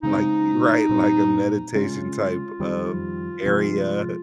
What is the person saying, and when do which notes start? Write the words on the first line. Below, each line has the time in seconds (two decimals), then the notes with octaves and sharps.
like you Right, like a meditation type, um, area
0.03 C#3 G#3 C4 D#4
0.89 A#2 G3 C4
1.74 C#3 G#3 C#4 F4
2.60 F2 D#3 G3 C4
3.46 C3 F3 G#3